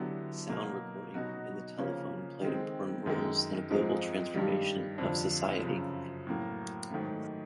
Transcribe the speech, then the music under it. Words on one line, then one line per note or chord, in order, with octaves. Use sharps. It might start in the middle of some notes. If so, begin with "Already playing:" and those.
Sound recording and the telephone played important roles in a global transformation of society.
Already playing: D3 F#3 B3 E4 G4
B2 F#3 A#3
B2 F#3 B3 D#4 F#4
C#3 F3 A#3 C#4
D#3 G#3 C4
F#2 D#3 G#3
G#2 F3 G#3 C4 D#4
G2 D#3 G3
F2 D3 F3
F#2 C#3 F3
A2 F#3 A#3
G#2 D#3 F#3 A3